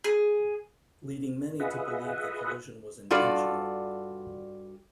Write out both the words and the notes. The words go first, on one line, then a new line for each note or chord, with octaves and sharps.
Leading many to believe the collision was intentional.
G#4
F4 G#4 B4 D#5 E5 F#5
G2 F4 F#4 A4 D5